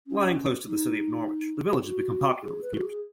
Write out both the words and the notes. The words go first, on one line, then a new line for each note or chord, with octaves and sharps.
Lying close to the city of Norwich the village has become popular with commuters.
C#4
D#4
F#4
G#4
B4
F#4
G#4